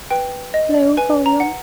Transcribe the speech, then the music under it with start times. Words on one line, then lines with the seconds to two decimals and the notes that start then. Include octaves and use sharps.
Low volume.
0.11 B4 G5
0.54 D#5
0.97 B4 G#5
1.26 A#5
1.40 F#5